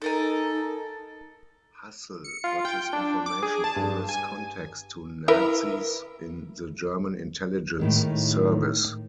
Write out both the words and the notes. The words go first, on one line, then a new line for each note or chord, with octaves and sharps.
Hassel got his information from his contacts to nazis in the German intelligence service.
D#4 A4 A#4 G#5
C#7
F4
G5
D4
D6
G#4
A5
G2
G#5
E4 A#4 B4
A2 D#3 G#3